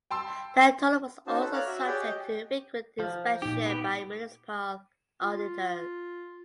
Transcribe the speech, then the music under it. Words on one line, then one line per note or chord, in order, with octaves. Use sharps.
The Taula was also subject to frequent inspection by municipal auditors.
G5 A5 C6 E6
C#4 D#4 F#4 C5 A5
A4 B4 F#5
C#5 D5 F5 A#5 F6 F#6
F#4 E5
G4 G#4 C#5 D5 F#5 G5
G4 D#5 G5
F3
A#2 D#4 G4
B3 G4
F4